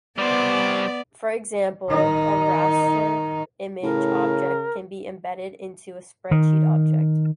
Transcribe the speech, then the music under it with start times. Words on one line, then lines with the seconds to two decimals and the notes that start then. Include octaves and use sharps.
For example, a raster image object can be embedded into a spreadsheet object.
0.18 G3 B3 C5 D5
1.89 D#3 D#4
3.83 A2 C#3 A#4
6.31 D#3